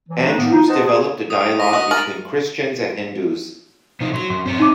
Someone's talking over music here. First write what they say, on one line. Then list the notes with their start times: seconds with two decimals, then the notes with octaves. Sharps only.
Andrews developed a dialogue between Christians and Hindus.
0.08 E3 F#3
0.24 A3 A#3 D4 D#4
0.36 A2 D#3 A#3 B3
0.51 D#4
0.67 B4 C5 D#5 F#5 A5
0.84 G#4
1.30 D#6
1.60 A#6 B6 D#7
1.73 F#4 D#5
1.91 A#4 A6 F#7
4.00 C3 F3 D#4
4.14 F#3 C6
4.30 F#2 C6
4.46 C4 C#5 A#5
4.59 D#4 A5 D6